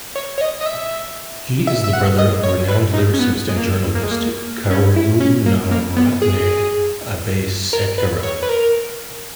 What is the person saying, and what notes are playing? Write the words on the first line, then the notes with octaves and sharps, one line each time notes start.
He is the brother of the renowned lyricist and journalist Karunaratne Abeysekera.
C#5
C#5
D#5
D#5
E5
E5
E5
F#5
D#5
C#5
B4
D#4
C#4
B3
G#3
A#3
A#3
G#3
A#3
C#4
E4
C#4
A#3
A#3
B3
G#4
A#4
B4
C#5
B4
A#4